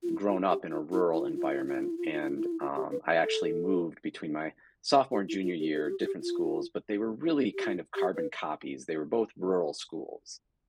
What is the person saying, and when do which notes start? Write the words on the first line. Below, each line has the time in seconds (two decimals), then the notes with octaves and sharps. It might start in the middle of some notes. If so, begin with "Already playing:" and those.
grown up in a rural environment and, um, I actually moved between my sophomore and junior year, different schools, but they were really, kind of, carbon copies. They were both rural schools,
0.03 F4
0.09 E4
0.29 F4
0.50 G4
0.71 F4
0.92 E4
1.13 E4
1.21 F4
1.29 E4
1.36 F4
1.44 E4
1.52 F4
1.60 E4
1.67 F4
1.75 E4
1.83 F4
1.91 E4
1.98 F4
2.05 E4
2.13 F4
2.21 E4
2.28 F4
2.37 E4
2.44 F4
2.52 E4
2.60 F4
2.76 G4
2.92 B4
3.23 A4
5.12 G4
5.28 E4
5.43 F4
5.60 G4
5.75 G4
5.84 F4
5.90 G4
6.01 F4
6.06 G4
6.22 F4
7.54 G4
7.64 F4
7.96 G4
8.15 B4